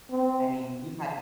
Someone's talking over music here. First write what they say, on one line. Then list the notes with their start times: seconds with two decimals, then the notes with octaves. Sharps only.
I mean, you've had
0.10 C4